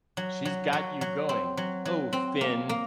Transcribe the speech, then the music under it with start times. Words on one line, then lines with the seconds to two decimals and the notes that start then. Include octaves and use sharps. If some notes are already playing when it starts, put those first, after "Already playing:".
She's got you going — oh, Finn!
0.17 F#3
0.45 F#3
0.73 F#3
1.01 F#3
1.29 C4
1.57 F#3
1.85 F#3
2.13 C4
2.41 A#3
2.69 A#3